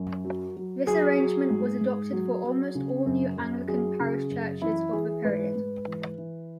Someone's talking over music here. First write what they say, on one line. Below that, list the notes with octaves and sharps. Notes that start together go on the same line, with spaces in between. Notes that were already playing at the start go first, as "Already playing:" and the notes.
This arrangement was adopted for almost all new Anglican parish churches of the period.
Already playing: F#2
F#3
F#3
F#3 G#4
F#3
G#2
G#2
F#3
F#3
C#3
F#2
F#2
F#3 G#4
C#3
F#2
E3 E4
E3 G#4
G#2 B4
G#2
E3
E3